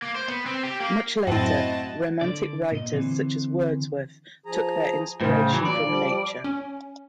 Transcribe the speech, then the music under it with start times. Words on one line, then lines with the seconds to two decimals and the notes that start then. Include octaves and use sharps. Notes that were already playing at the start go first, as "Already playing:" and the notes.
Much later, Romantic writers such as Wordsworth took their inspiration from nature.
0.02 A#3
0.15 C5
0.28 B3
0.46 C4
0.63 G4
0.80 A#3
1.27 F#2 A2 C4 E4 F#4 D#5 A5
2.21 D3 D5
2.72 A#2 D#5
2.93 D3 E3 C4
4.46 F3 G#4 A#5
5.21 A2 C#3 C5
5.53 E3 F#3
5.65 A#2 D5
5.83 F3 G3
6.44 C#4